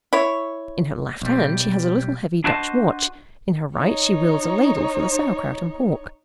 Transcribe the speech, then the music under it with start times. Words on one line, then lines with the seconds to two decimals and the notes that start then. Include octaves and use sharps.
In her left hand she has a little heavy Dutch watch; in her right she wields a ladle for the sauerkraut and pork.
0.13 E4 C#5
1.22 B1 G3
2.44 D4 E4 F#4 C5 D#5 A5
3.77 D#4 C#5